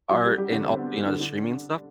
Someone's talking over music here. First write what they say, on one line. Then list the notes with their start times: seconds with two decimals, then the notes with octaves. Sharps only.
Art and also, you know, the streaming stuff,
0.11 F#3 F#4
0.24 G3 G4
0.38 G3 G4
0.52 D3 D4
0.65 C4
0.79 B3
1.06 D3 D4
1.20 D3 D4